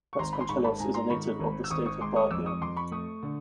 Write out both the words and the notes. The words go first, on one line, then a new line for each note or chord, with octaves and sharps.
Vasconcellos is a native of the state of Bahia.
C#6
G#1 A#5 C6
B5
C6
G#2 B5 C#6
A5 B5
G#2 G#5 A#5
A#5 C6
D#3 B5 C#6
G#1
E6
G#1 C#6 D#6
C#6 D#6
G#3 C6 D6
C#6 D#6
F2 D6 E6
C#6 D#6
F2 C6 D6
B5 C#6
A3 C#6 D#6
D3